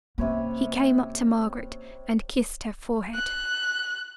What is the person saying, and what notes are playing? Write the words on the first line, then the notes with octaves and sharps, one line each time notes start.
He came up to Margaret, and kissed her forehead.
C3 A#3 C#4 C#5 B5
F#6